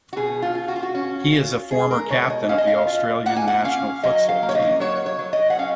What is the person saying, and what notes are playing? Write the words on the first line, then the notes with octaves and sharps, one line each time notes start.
He is a former captain of the Australian national futsal team.
F#4
B2 G#4
F4
F4
F#4
F4
F#4
C#4
F4
G#3 G#4
A#4
B2 C#5
D#5
C#4 F5
D#5
F5
F4
A#3 F#5
G#5
F#5
C#4 F5
F#3 D#5
F5
A#3
C#5
D#5
F#3 C#5
C#5
F#3
D#5
F#5
C#4 F5